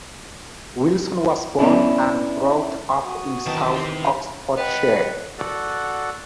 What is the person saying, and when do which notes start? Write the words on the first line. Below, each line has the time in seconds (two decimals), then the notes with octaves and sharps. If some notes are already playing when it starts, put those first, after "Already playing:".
Wilson was born and brought up in south Oxfordshire.
1.59 B3 C#4 D4 E4
3.05 F#4 D#6
3.46 B1 D#3 E3 A5
3.75 C4 G4 C5
4.57 B4 D#5 F#5 G5
5.38 F#4 A4 D5 F#5